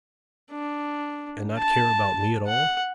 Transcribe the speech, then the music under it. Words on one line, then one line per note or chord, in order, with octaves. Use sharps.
'And not care about me at all?'
D4
A5
F#5